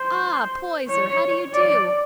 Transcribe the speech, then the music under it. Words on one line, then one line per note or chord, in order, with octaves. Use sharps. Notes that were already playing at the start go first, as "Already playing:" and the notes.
Ah, Poyser, how do you do?
Already playing: C5
C#5
D5